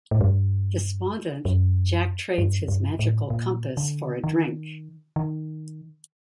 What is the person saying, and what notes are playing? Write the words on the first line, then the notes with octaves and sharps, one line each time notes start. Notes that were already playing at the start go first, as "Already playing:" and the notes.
Despondent, Jack trades his magical compass for a drink.
A2
G2
F#2
G2
G2
A2
A#2
D3
D#3
D#3